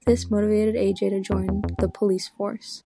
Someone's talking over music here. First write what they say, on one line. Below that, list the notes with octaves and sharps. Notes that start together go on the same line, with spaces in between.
This motivated Ajay to join the police force.
F2
F2
E2
F2
E2